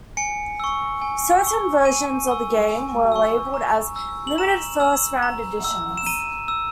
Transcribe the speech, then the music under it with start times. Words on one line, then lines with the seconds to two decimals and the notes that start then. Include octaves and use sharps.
Certain versions of the game were labeled as "Limited First Round Editions".
0.17 G#5 C#7
0.60 C#6 E6
1.02 G#5
1.43 C#6 E6
1.85 G#5 D#7
2.27 C#6 E6
2.69 G#5
3.12 C#6 E6
3.54 A#5
3.96 E6
4.27 F#7
4.38 A#5 E7
4.80 E6
5.23 A#5
5.65 E6
5.97 E7
6.06 A#5 D#7
6.48 E6